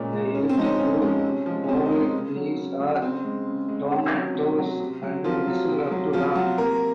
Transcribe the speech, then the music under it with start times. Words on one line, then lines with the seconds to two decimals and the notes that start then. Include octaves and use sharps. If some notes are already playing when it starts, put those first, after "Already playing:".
The elliptic to ovate leaves are tomentose and measure up to long.
Already playing: A#2 G#3 C#4
0.13 G#3
0.35 C#3 C#4
0.49 C4
0.57 F3 G#3 D#4
0.65 C#4
0.79 C#3 C#4
1.02 F3 G#3
1.24 C3
1.46 F3 G#3
1.64 C#4
1.68 C3 C4
1.86 D#4
1.91 F3 G#3 C#4
2.13 C#3
2.35 F#3
2.57 C#3
2.80 F#3
3.02 C#3 C4
3.24 G#3
3.46 C#3
3.69 G#3
3.91 C3 C#4
4.14 F#3
4.35 C3
4.58 F#3
4.80 C3
5.03 F#3
5.24 C3 F3 F4
5.47 F#3
5.69 C3
5.91 F#3
6.13 C3 F3 F4
6.35 F#3 F#4
6.58 C3 A#3 A#4